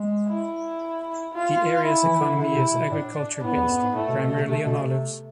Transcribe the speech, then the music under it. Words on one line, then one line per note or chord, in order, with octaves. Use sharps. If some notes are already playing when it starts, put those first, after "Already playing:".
The area's economy is agriculture-based, primarily on olives.
Already playing: G#3
E4
F4
E4
E3
D3
D3 E4
C3
B2
A2 D4
A2 B3
E2
F2
G#2
A2 A3
B2
B2
C3
C3
B2
C3